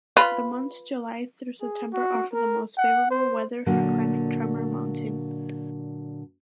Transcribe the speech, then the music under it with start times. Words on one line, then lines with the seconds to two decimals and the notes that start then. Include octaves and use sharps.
The months July through September offer the most favorable weather for climbing Tremor Mountain.
0.17 F4 B4 B5
1.61 G#4
1.93 F#4
2.33 A#4
2.78 F#5
3.10 C5
3.66 A#2 D3 F#3 A#3